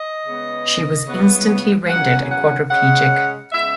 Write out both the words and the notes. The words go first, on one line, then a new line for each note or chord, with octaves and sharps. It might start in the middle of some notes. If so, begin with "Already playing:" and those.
She was instantly rendered a quadriplegic.
Already playing: D#5
C#3 G#3 B3
C#3 E3 B3
E2 C#3 F#3 C#4 F#5
F#5
C#3 G#3 C#4 F#5
C#3 G#3 B3 E5